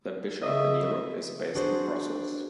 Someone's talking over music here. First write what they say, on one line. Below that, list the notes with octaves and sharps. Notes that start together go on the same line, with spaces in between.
The Bishop in Europe is based in Brussels.
C#3 D#5 E5
D4 F#4 G#4 C5